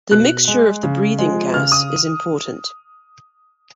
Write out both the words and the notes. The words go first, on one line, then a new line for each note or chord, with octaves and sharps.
The mixture of the breathing gas is important.
B2 F#6
G#3
C#3
F3 G#3
C#3 F6
D#6